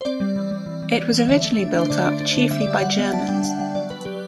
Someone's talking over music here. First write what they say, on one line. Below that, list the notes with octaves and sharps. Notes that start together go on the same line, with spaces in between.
It was originally built up chiefly by Germans.
C5
C4 D5
G3
E3
G3
E3
G3
G3
E3
D3 E5
A3
D4
D4 C5
D3 D5
D4
D4
D3
G3 E5
D5
G3 E5
G3 F#5
B3
D4 A5
G3 G5
G3 F#5
G3 F#5
F#3 D5
F#3 B4
F#3 G4